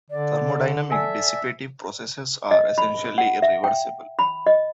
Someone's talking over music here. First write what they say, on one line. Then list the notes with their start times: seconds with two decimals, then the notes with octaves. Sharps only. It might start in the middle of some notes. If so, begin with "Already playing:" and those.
Thermodynamic dissipative processes are essentially irreversible.
0.10 D3 D5
0.92 A4 D5 E5 G#5
2.51 D#5
2.78 B5
3.18 F#5
3.42 E5
3.64 G5
4.19 B5
4.46 D#5